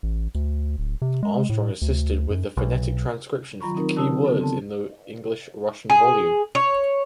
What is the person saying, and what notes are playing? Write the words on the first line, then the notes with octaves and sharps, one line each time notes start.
Armstrong assisted with the phonetic transcription for the keywords in the English–Russian volume.
A1
D2
D1
C3
G#3
A2
D2
F#2
B1
D#3 F#3 F4 A#5 B5 C#6
C4 D#4 A#4
D3 C4 G4 A5 D#6 E6
C#3 B3 A4
C4 A5
G#4
C#5